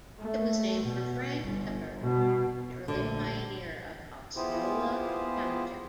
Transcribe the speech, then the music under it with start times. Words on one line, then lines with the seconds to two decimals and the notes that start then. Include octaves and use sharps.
It was named for Frank Evart, an early pioneer of Osceola Township.
0.19 A3
0.81 B2
1.43 G1
2.00 B2
2.88 A#1 D3 A3
4.36 B3 E4 F4 G4 G#4 C5